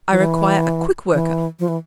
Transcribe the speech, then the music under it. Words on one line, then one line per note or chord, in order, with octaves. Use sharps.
I require a quick worker.
F3
E3
E3
F3
E3